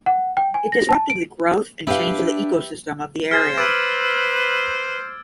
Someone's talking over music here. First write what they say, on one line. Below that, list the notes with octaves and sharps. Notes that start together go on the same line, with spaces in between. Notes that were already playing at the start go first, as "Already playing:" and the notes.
It disrupted the growth and changed the ecosystem of the area.
F#5
G5
G#5
A#6
A5
D7
D4 E4 G4 B4 F5
G#4 C5 F6 G#6 A6
B4 D6 E6 D7